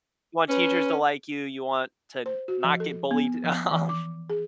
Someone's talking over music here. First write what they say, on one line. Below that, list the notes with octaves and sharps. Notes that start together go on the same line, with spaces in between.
you want teachers to like you, you want to not get bullied. Um,
C#4 B4
C5
F#4
F3
A4
B3
F3
E3
D6
G#4